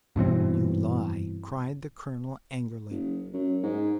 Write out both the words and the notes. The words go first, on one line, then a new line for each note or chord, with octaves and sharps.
"You lie!" cried the colonel, angrily.
G2 B2 E3 C4
F#1
F#2
G#2